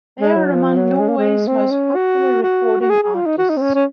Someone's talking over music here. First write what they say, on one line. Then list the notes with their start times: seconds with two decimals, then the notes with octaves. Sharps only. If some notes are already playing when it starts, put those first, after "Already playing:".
They are among Norway's most popular recording artists.
0.20 G#3
0.36 F#3
0.51 F3
0.76 F#3
0.99 G#3
1.08 A#3
1.17 G#3
1.48 C4
1.71 C#4
1.95 F#4
2.43 F#4
2.81 F#4
2.90 G#4
3.03 G#4
3.14 F4
3.26 D#4
3.38 F#4
3.49 D#4
3.57 C4
3.62 C#4
3.74 C#4